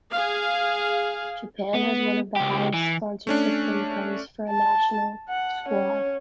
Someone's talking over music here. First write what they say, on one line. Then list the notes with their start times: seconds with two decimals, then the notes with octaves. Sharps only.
Japan has one of the highest sponsorship incomes for a national squad.
0.11 G#4 F5
1.75 B3
2.36 C#2 G4
2.73 E3
3.27 A3 C#4 D4
4.49 A5
5.29 F#5
5.69 C#4